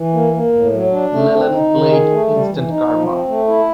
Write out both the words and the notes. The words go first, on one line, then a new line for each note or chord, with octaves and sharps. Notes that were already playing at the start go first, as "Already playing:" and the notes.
Lennon played Instant Karma!
Already playing: E3
A#3
A#3
A2
F#3
D4
A3
C4
D#4
D#3
G#4
A3
G3
E3
D#4
F3
C4
A3
E4